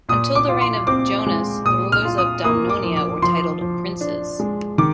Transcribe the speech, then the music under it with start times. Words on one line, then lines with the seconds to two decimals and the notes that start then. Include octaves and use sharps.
Until the reign of Jonas, the rulers of Domnonia were titled princes.
0.09 A#2 D#6
0.35 D6
0.49 F4
0.61 C6
0.87 C4 D6
1.26 G#3
1.65 A#2 D#6
1.92 F6
2.05 F4
2.18 D#6
2.44 A#3 D#6
2.69 D6
2.83 F3
2.96 D6
3.22 F3 C6
3.61 F3
4.01 D4
4.40 G#3
4.78 D#3 D6